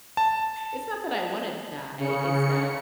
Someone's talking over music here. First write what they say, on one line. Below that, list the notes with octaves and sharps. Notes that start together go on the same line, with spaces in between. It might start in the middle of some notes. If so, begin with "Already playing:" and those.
It's not that I wanna die it's that
A5
C#3 C#7